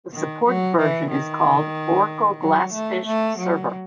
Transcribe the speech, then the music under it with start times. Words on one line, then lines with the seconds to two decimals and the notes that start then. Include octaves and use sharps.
The supported version is called Oracle GlassFish Server.
0.13 D#3
0.46 F#3
0.78 E3
1.10 D#3
2.41 F#3
2.73 A3
3.06 A3
3.39 F#3